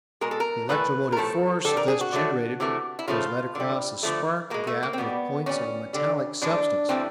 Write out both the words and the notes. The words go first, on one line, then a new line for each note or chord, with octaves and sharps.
The electromotive force thus generated was led across a spark gap with points of a metallic substance.
B2 G#3 A#4
A4
A#4
A2 E3 A3 B4
A#4
A2 F3 A3 A4
D3 G3 A4
A#4
G#4
F#4
D3 F#3 A3
C3 E3 A3
E4
C#3 F3 A3 F4
D3 G3
D3 F3 A3
B2 G#3 A#3
A3
A#3
C4
B2 G3 B3
A#2 G3 C#4
D3 G3
A2 F3 G#3 D4
A2 E3 G3 C4